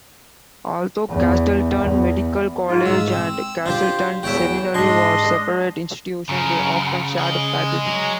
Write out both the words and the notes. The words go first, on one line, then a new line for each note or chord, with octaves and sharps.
Although Castleton Medical College and Castleton Seminary were separate institutions, they often shared faculty.
E2
E2
G#2 F4
G#2 E6
C4
D4 F4 G4 C5
E2 F#4 C#5 E5 G5
G#2 D4 D#5 C6 C#6
F#2 C#3
G#4 D#5
F#3